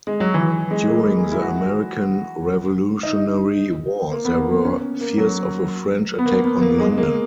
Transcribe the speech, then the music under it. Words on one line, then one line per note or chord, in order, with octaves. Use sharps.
During the American Revolutionary War there were fears of a French attack on London.
G#3
F#3
E3
G#3
A#3
E4
F#4
D#4
A#3
B3
A#3
A#3
C#4
A#3
F#3
B3
A#3
B3
A#3
G#3
A#3